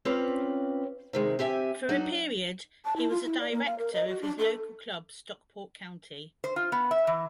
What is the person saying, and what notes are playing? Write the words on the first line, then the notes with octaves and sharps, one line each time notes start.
For a period he was a Director of his local club Stockport County.
C4 C#4 F4 B4 D5
C3 D#3 G#3
C4 G4 E5 G#5
F#3 D4 D#4 F#4
A5
E4
F4
E4
D5
A#3
F5
A#4
D#5
F#4
D4
A4
C5
F4
B3
E5
E3